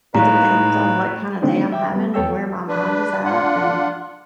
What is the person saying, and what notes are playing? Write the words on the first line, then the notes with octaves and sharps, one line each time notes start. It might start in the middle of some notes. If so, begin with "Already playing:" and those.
It depends on what kind of day I'm having and where my mind is at and,
A2 D#4 B4 F5 A#5
D3 A3 C4 D4 D#4
E5 G5 D6
G3 B3
D#2 B3 A4 C#5 G5 E6
D4 B4
D4 F4 F#5